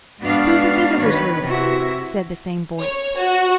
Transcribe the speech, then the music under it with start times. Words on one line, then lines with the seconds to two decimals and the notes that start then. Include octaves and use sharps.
"To the visitors' room!" said the same voice.
0.21 G#2 B3 D4 F#4 B4 F5
0.99 D#3 B4 C#5
1.41 C3 E4 F#4 E5
2.81 C#5
3.20 F#4